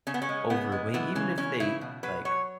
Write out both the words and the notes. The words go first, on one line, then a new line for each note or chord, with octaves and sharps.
overweight even if they, like,
C#3 C#4
B3
C#4
G#3
C#3 B3
G#3
E3 B3
C#3 C#4
E3 C#4
C#3 E4
B2
F#3 B4
F#3 C#5